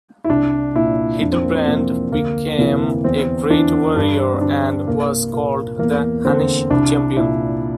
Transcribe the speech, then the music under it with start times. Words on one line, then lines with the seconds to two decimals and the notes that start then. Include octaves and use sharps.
Hildebrand became a great warrior and was called the Hunnish champion.
0.24 E4
0.29 C2 D4
0.75 A#2 E4
1.21 F2 D4
1.32 C4
1.44 A#3
1.55 C4
1.67 C3 E3 A#3
2.12 D2 A#3
2.58 C3 E3 A#3
3.04 E2 C4
3.50 E3 D4
3.96 G2 D4
4.33 C4
4.41 D3 D4
4.87 C2 A#3
5.33 A#2 A#3
5.79 E2 A#3
6.25 D3 C4
6.70 C2 D4
7.16 A#2 E4